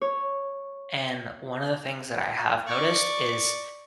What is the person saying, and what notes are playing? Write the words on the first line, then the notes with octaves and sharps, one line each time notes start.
and one of the things that I have noticed is,
C#5
D5 C#6